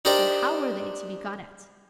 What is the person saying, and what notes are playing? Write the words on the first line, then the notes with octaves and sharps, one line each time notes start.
But how were they to be got at?
D4 D#4 G4 A#4 C5 D5